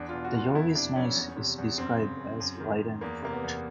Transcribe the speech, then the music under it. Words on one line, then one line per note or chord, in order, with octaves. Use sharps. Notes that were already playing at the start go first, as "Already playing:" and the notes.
The yowie's nose is described as wide and flat.
Already playing: E2 D4
B2 F4
F#4
B2 F4
F2 E4
C3 D4
F2 C#4
E2
C3
E2
F#2 C4
C#3
F#2
F#2
D#3
D#3
E2 A#3
C3 A#3
B3
E2